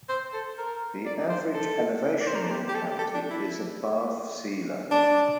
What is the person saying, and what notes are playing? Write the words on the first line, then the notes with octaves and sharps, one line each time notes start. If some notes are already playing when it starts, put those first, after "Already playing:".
The average elevation in the county is above sea level.
C5
A4
A#4
D5
C5
A4
D5
C5
A#4
A4
G4
G4
A4
G4
A4
D4
E4
D4